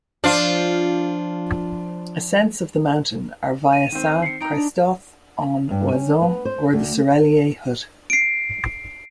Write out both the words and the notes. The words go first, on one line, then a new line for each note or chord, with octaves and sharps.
Ascents of the mountain are via Saint-Christophe-en-Oisans or the Soreiller hut.
F3 D4 F4
D#7
D#3 C4
C7 C#7
D#4 G5 A#5 D7
D4
G2
C#4
B3
C5
D2
C7 D7